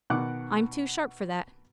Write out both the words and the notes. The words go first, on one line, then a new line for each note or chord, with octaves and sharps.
I'm too sharp for that.
B2 D#3 F#5 D6 F#6